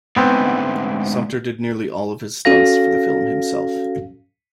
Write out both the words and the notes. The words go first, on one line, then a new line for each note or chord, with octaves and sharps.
Sumpter did nearly all of his stunts for the film himself.
D2 G#2 B3 C4
C#4 F#4 A4 F5 A#6